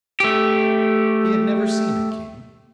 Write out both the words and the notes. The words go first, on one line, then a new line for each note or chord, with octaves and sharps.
He had never seen a king.
A3 G4